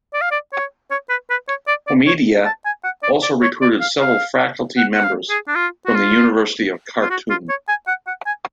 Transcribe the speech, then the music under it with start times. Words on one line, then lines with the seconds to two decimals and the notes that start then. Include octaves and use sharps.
Homeida also recruited several faculty members from the University of Khartoum.
0.14 D5
0.22 F5
0.31 D5
0.53 C#5
0.91 C#5
1.10 B4
1.30 B4
1.48 C#5
1.68 D5
1.87 D5
2.07 C#5
2.46 A5
2.65 G#5
2.84 F#5
3.03 D5
3.23 D5
3.42 C#5
3.62 D5
3.81 F5
4.01 F5
4.78 F#5
4.95 F#5
5.04 F5
5.30 G#4
5.48 D4
5.55 F4
5.86 F#4
5.95 F4
7.02 F4
7.10 F#4
7.30 F4
7.49 C#5
7.68 G#5
7.88 F#5
8.07 F#5
8.26 G#5